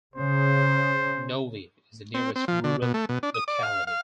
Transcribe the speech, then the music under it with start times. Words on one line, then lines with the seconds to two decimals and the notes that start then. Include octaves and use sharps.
Novy is the nearest rural locality.
0.16 C#3 C5
2.14 C4
2.36 C4
2.48 F3
2.64 D3
2.82 B2
2.94 A3
3.09 B2
3.23 D4
3.34 D#6
3.48 D5
3.63 F5
3.87 F5